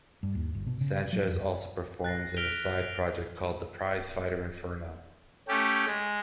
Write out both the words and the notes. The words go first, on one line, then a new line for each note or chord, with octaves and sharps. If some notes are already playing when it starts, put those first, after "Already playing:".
Sanchez also performs in a side project called The Prize Fighter Inferno.
G2
D#2
G1
B2
C#3
F#3
F2
F#6 A6 A#6 C7
F6 A#6 B6 D7 F7 G7
A3 C#4 G4
G#3